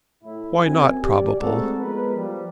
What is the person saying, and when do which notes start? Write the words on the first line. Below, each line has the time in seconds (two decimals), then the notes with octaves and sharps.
"Why not probable?"
0.23 A2 E4
0.64 F#2 C4 G#5
1.03 G4 D5
1.40 G#3 A3 C4 D#4 F#4 A4
1.79 F3 G#3 B3 A#4 B4
2.17 F3 G3